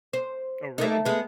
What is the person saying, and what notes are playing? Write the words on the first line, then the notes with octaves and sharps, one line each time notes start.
Oh, really?
C5
A3 A#3 D#4
G#3 B3